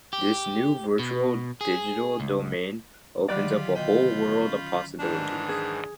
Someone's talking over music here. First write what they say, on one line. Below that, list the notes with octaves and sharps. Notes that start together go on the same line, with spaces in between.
This new virtual digital domain opens up a whole world of possibilities.
G4
B2
G#4
C#2
D3 D#3 F#3 G3 F4 G4 D5 B5
B2 F4 D#5 F5 G5 B5 G6
C#4
G#2 D#3 E3 D4
G#4